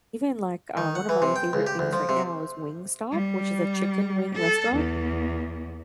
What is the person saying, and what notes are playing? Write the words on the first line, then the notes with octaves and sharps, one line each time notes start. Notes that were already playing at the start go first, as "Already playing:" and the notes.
even like, uh, one of my favorite things right now is Wingstop, which is a chicken wing restaurant,
D#3
F#5
E3
C3
G5
C#2
G4
D2
F3
C3
G3
A4
E2